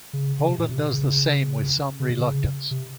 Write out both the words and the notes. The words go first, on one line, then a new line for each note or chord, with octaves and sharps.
Holden does the same with some reluctance.
C#3
C#3
C3
A#2
C3
C#3
C#3
C3
C#3
C3